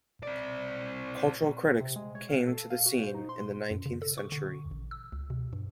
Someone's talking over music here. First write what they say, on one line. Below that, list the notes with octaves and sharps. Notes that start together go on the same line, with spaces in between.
Cultural critics came to the scene in the nineteenth century.
C4 D5
C3
G#3
C#5
F5
A4
F5
F#4
C5
D#4
C6
F#2
C#3
A4
C#6
D3
A1
E6
C#2
B2
G2